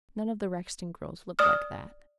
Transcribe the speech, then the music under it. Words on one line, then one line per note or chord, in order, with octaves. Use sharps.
None of the Rexton girls looked like that.
D5 D#6 F6